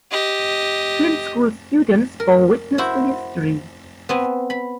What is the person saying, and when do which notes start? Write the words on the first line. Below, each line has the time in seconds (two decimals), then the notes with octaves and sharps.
Flint School students bore witness to history.
0.11 G4 D#5
2.20 A#4
2.78 E4 F#4 C5
4.09 B3 C4 G#5
4.50 B5